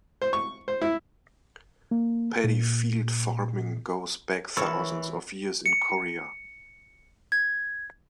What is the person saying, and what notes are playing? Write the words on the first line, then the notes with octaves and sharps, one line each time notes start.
Paddy field farming goes back thousands of years in Korea.
C5
C#6
C5
E4
A#3
A#2
E3 A#4 C#5 A5 B5 C#6 E6
C#7
G#6